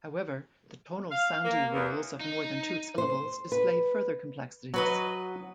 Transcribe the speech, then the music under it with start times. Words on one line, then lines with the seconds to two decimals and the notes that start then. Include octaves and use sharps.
However, the tonal sandhi rules of more than two syllables display further complexities.
1.10 F5
1.44 A#3
1.73 E2
2.21 D#4
2.98 C5
3.52 B4
4.74 F#3 F#4 B4 D#5